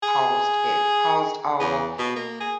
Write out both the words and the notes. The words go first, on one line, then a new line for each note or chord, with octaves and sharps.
paused it paused all
G#4
E2
B2
A#3
G#4